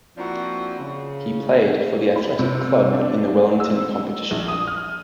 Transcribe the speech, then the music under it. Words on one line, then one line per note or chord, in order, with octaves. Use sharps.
He played for the Athletic Club in the Wellington competition.
F3 A#3 C4 D4 E4 F#4
C#3
B5
C3
D4
E6
A#1
D#6
F6